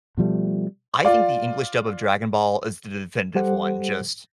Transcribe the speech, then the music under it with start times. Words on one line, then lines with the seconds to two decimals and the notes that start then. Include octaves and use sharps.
I think the English dub of Dragon Ball is the definitive one, just
0.18 B2 F3 G3 A3
1.05 F4 D5
3.35 G3 G4 A4 C5 F#5